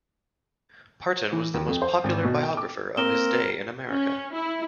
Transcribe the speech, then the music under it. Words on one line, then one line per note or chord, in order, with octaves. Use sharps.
Parton was the most popular biographer of his day in America.
E3
D#2
F2
C5
G#1
B2
G5
D6
A#3 C4 A#4 E7 G7
C#4
E4